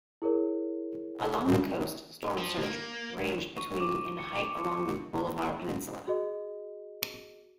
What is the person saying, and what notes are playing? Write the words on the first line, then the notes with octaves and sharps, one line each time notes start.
Along the coast, storm surge ranged between in height along the Bolivar Peninsula.
E4 G#4 A#4 C#5
F3
A#3
C#6
D6
C#7
F#4 G#4 D#5